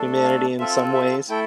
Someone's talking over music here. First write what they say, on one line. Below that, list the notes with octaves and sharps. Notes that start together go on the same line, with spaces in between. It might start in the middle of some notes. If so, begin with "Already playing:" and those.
humanity in some ways,
Already playing: A3 D4 A4
F5
C4 F4 A4 E5
E5
A3 E4 A4 G5